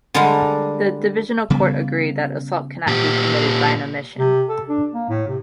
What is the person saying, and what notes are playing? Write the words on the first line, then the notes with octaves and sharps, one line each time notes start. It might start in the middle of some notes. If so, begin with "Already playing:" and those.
The Divisional Court agreed that assault cannot be committed by an omission.
D3 G3 G#3 D4 A#4 A#5
C#3 G3 B3
A#2 G4
C3
A4
D4
A#3
A2
C3